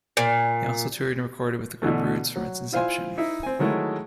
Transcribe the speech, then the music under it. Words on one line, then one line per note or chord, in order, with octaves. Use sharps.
He also toured and recorded with the group Roots from its inception.
A#2
B2 D3 E3 A3
F#3
E4 F4 C5 F5 G#5 C6
D#4 E4 E5
C4 G#5
D#3 F#3 G#3 A3 E4